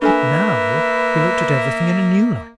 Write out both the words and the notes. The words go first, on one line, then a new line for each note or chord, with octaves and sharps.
But now he looked at everything in a new light.
A#3 D4 A4 B4 E5 G#5